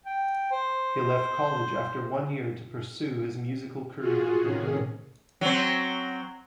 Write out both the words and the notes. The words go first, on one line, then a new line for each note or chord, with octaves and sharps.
He left college after one year to pursue his musical career.
G5
C5
F4 F#4 G#4
A2 C3 D#3 C#4 G#4
F#3 C4